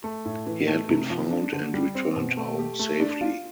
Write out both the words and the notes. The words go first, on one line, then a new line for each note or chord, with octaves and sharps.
He had been found and returned home safely.
A3
A2
E3
A3
C3
F3
D4
D3
G3
C4
B2
A3
G4
A3
D4
F4